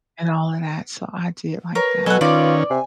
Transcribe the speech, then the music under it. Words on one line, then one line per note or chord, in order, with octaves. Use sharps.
and all of that so I did like that.
A#4 B4 C#5
B2 F#3 A4 F#5 G#5
D#3 C#4 F4 D5
C3 G#5